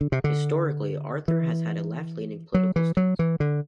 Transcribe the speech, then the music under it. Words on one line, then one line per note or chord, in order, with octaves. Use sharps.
Historically, "Arthur" has had a left-leaning political stance.
D3
C3
D3
E3
F#3
E3
F#3
E3
D3